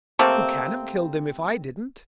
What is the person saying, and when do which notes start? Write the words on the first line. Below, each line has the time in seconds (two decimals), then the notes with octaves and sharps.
Who can have killed him if I didn't?
0.19 C3 A3 A#3 C4